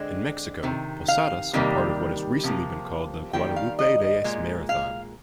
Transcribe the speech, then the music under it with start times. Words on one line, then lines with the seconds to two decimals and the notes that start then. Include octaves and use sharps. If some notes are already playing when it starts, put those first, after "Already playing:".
In Mexico, posadas are part of what has recently been called The Guadalupe-Reyes Marathon.
Already playing: D3 G#3 C4
0.63 C3 D#3
1.08 F5
1.53 C3 D#3 G3 A#3
2.44 C3 F3 A#3
3.33 D#3 G3 A#3 G5
3.56 F5
3.79 D#5
4.01 D#5
4.24 A#2 G#3
4.69 F5